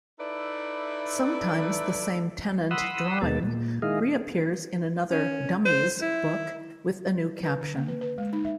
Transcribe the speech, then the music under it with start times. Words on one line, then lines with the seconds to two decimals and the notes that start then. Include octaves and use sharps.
Sometimes the same Tennant drawing reappears in another "Dummies" book with a new caption.
0.20 D#4 E4 A4 B4 D5 E5
2.71 F#5 B5 C6 D#6 E6
3.22 D#2 B2 G#3 B3 A5
3.43 A#2
3.82 D#3 G#3 E4 G#4 D#5 F5
5.11 C#4
5.65 C5
6.02 E4
7.43 B4
7.61 D3
7.76 A#3
7.88 B4
8.01 B4
8.18 G#3
8.33 D#4
8.45 E5